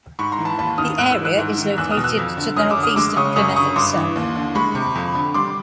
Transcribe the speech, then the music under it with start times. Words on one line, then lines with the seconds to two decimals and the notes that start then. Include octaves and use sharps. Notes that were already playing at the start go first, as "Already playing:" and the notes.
The area is located to the north east of Plymouth itself.
0.19 G#2 B5 C#6
0.32 A#5 C6
0.39 E3
0.45 A5 B5
0.58 D#2 A5 B5
0.78 D#3 D#6 F6
0.98 G#2 E6 F#6
1.12 E6 F#6
1.19 E3
1.25 E6 F#6
1.38 G#2
1.58 D#3
1.78 E2 E6 F#6
1.90 D#6 F6
1.97 B2
2.04 E6 F#6
2.17 F2
2.37 D3
2.56 F#2 D#6 F6
2.70 D6 E6
2.77 D3
2.83 D#6 F6
2.96 G#3 D6 E6
3.16 C#3 C#6 D#6
3.36 F#2 C#6 D#6
3.56 D3 C#6 D#6
3.76 G2 C6 D6
3.95 E3
4.16 D#2
4.35 D3
4.55 G#3 B5 C#6
4.75 C3
4.95 F2
5.15 D3
5.34 G3 C6 D6